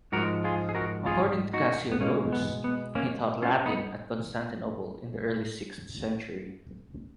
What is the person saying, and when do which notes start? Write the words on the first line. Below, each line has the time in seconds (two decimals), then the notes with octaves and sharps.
According to Cassiodorus, he taught Latin at Constantinople in the early sixth century.
0.12 G#2 F3 G#3 F#4 A#4
0.44 F4 G#4
0.69 G#4
0.75 F#4 A#4
1.06 F4 G#4
1.53 D#4 F#4
1.92 B3
2.00 B2 G#3 A#3 C#4
2.33 B3
2.64 B3
2.95 A#3 C#4
3.42 C#4 F4
3.66 B3 D#4